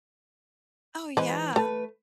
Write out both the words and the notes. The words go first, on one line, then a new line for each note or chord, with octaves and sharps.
Oh, yeah.
E3 G#3 B4 C5
A3 A4 B4 A5